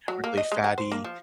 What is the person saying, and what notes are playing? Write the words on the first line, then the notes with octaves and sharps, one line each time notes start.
really fatty,
F#3
A#3
D#5
G#3
F#5
C5
A#3
F3